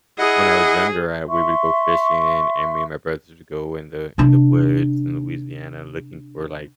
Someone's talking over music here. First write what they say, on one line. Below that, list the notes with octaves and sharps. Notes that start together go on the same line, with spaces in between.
when I was younger, I we would go fishing, and and me and my brothers would go in the in the woods in Louisiana looking for, like,
E4 G#4 D#5 F#5
E5 C6 C#6
C3 D4